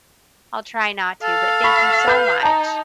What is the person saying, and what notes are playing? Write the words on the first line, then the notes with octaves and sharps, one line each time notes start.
I'll try not to, but thank you so much.
A4 F5
B5 C#6 B6
B4 G6
D#4 A5 A#5